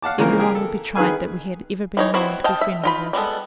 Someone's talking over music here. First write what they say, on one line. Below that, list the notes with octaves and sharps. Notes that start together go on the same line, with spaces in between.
Every one would be tried that we had ever been known to be friendly with.
F5 F#5 A5 D6
C#3 E3 F3 A#3 C4 A#4
G4 G#4 A#4
A4
D#3 G#4 B4 F5 G#5
E3 D#4 C#5
B3 C4 E4 F#4
D#5 F5 G5 A5
E5
D#4 F4 B5
G3 G#3 B3 A4